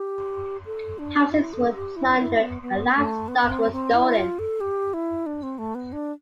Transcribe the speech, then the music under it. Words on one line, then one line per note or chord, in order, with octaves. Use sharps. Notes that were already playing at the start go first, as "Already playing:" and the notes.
Houses were plundered and livestock were stolen.
Already playing: G4
A4
D4
E4
A4
G4
E4
E4
B3
B3
A3
B3
C4
C4
E4
F4
A4
G4
E4
D4
C4
A3
B3
D4